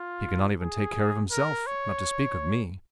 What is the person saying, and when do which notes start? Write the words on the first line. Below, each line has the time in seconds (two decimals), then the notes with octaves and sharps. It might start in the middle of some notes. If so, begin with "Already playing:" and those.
He could not even take care of himself, not to speak of me.
Already playing: F4
0.60 G#4
1.32 A#4
1.67 C#5